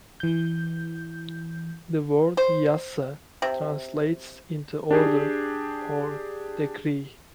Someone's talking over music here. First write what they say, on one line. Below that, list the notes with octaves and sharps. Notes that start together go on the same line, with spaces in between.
The word Yassa translates into "order" or "decree".
E3 G6
C5
C3
D4 G4 G#4